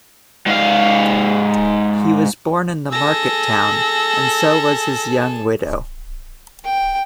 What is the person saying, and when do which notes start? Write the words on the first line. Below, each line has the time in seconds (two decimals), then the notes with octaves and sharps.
He was born in the market-town, and so was his young widow.
0.47 G#2 F5
2.91 G#4 A4 E6 A#6
6.64 G5